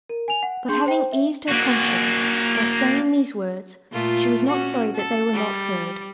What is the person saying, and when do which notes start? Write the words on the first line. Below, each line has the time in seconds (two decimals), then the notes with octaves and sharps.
But having eased her conscience by saying these words, she was not sorry that they were not heard.
0.09 A#4
0.28 G#5 F7
0.43 F#5
0.68 D4 G#4 C6 G6
0.86 C5 G5
1.12 E5
1.49 A#3 F#4
3.92 A#2 A3 F4
4.47 C#4 F#4
4.95 A4
5.33 G3